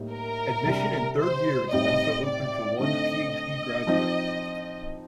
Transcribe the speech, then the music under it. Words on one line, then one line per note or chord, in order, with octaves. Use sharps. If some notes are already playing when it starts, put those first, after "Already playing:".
Admission in third year is also open to one Ph.D graduate.
Already playing: A2 G3 A#3 D#4
A#4
C3 G3 D4
C5
A2 G3 C4 D#4 D#5
D5
D3 A3 C4 D#4 D#5
D#5
F3 C4 D#4